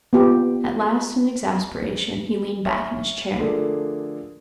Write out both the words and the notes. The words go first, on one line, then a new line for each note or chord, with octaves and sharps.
At last in exasperation he leaned back in his chair.
B3 C4 F4 G4
C#5 E5 G#5 C#6 F6
D3 F3 A3 G#4 A#4 D5